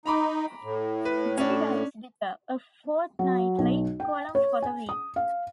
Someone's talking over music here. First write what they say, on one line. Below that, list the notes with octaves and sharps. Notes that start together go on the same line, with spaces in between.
De writes Detour, a fortnightly column for The Week.
D#4 A#5 B5 D6
A2
B4
C#4 D4
F#3
B1
G5
C#5
G#5
D#6
F5